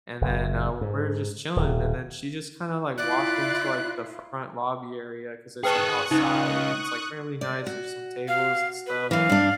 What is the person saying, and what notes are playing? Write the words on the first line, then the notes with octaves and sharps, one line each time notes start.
And then, uh, we're just chilling and then she just kinda, like, walked into, like, the front lobby area 'cause it's, like, outside and it's, like, fairly nice, there's some tables and stuff,
F#1
G#2
D#1
E4 F4 D5 F#6
G#4 B4 G5 A5 C#6 D#6 F#6
C#2 D#4
D5
F#4
F5
B4
F#2 E3 F5
G2 D4